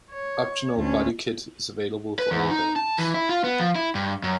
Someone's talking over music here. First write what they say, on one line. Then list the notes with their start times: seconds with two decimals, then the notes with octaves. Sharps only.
Optional body kit is available for all variants.
0.12 C#5
0.77 D2 C#4
2.19 B4
2.31 E2
2.51 D#4
2.76 A5
2.98 E3
3.14 E4
3.29 F4
3.44 B3
3.60 F3
3.75 E4
3.95 G2
4.23 F#2